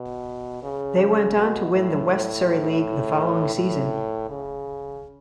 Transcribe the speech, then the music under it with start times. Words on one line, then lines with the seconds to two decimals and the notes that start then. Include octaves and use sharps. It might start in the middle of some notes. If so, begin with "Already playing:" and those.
They went on to win the West Surrey League the following season.
Already playing: B2
0.63 C#3
1.36 B2
1.73 A2
3.56 A2
4.30 C#3